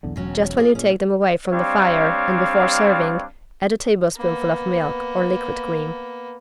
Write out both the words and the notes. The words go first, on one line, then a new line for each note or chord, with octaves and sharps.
Just when you take them away from the fire and before serving add a tablespoonful of milk or liquid cream.
B1 E2 D3
E1 F#3 C#4 F#4
F4 G#4
A#2 C#4
G3 C4 D4 C#5 F5
A#3 B3